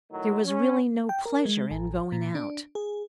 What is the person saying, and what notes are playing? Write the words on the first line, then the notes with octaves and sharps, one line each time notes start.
There was really no pleasure in going out.
A2 D#3 F#3
C#4
G5
A#4
G#3
A1
A#2
D4
G#4